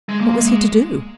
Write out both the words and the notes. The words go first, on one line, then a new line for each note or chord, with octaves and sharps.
What was he to do?
G#3
A#3
G#3